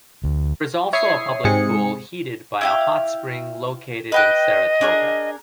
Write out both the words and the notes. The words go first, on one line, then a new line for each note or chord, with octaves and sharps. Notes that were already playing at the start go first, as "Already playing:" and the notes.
There is also a public pool heated by a hot spring located in Saratoga.
D2
E4 C#5 E5 C#6 D#6 C7
G#2 C3 C4 G#4 C#7
E4 G4 F5
B4 D#5 G5 F#6
D4 G#4 A#4